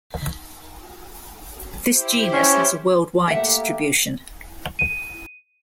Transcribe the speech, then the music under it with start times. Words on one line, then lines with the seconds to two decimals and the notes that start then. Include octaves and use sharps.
This genus has a worldwide distribution.
1.84 E4 G4 C5
2.33 C#4
3.28 A3 A#3 G4 E5 F#5
4.79 D#7